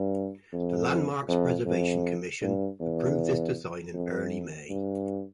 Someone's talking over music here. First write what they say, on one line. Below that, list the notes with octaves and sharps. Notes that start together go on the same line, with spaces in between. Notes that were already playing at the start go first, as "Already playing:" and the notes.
The Landmarks Preservation Commission approved this design in early May.
Already playing: G2
F2
F2
F2
G2
E2
F2
G2